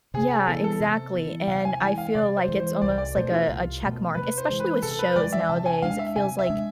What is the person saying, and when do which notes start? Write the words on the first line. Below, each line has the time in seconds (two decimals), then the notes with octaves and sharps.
Yeah, exactly, and I feel like it's almost, like, a a check mark, especially with shows nowadays, it feels like
0.14 C3 G#4
0.31 G#4
0.47 E3 B3 A4
0.64 A4
0.80 C3
1.14 E3 B3
1.48 C3 F5
1.65 G#5
1.81 E3 G#3 G#5
1.98 F5
2.15 C3 D5
2.37 C5
2.48 E3 G#3
2.60 C5
2.81 C2 D5
2.98 D5
3.15 B2 A3 C5
3.32 F4
3.48 C2
3.83 B2 A3
4.15 C3 B4
4.38 C5
4.49 E3 G#3
4.60 B4
4.82 C3 A4
4.99 B4
5.16 E3 G#3 D5
5.33 E5
5.49 C3 A5
5.66 G#5
5.82 G#3 D4 F5
5.99 E5
6.16 C3 G#5
6.39 E5
6.50 G#3 D4